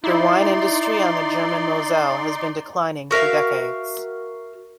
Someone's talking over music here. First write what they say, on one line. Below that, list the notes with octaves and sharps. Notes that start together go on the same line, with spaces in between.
The wine industry on the German Moselle has been declining for decades.
D#4 E4 D5 C6
F#4 A#4 E5 F5